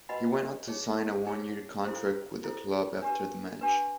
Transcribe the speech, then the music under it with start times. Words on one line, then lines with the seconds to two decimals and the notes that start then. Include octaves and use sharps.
He went on to sign a one-year contract with the club after the match.
0.09 F#4 B4 D#5 F#5 B5
0.68 D#4 G#4 C#5
1.26 D#4 G#4 C#5
1.85 E4 A4 C5
2.44 E4 A4 C5
3.02 D4 G4 B4
3.61 D4 G4 B4